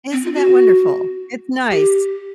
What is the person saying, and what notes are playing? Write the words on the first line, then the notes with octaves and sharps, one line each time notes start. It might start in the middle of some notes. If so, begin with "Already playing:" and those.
Isn't that wonderful? It's nice.
C4
F4
F#4
G4